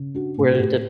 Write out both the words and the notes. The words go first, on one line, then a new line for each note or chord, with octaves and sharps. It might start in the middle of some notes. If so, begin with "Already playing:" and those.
where the
Already playing: C#3
D4 F#4
A2
F#4
A2 G4